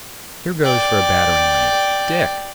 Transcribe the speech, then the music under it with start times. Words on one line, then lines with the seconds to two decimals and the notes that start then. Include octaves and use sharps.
Here goes for a battering-ram, Dick!'
0.62 D5 G5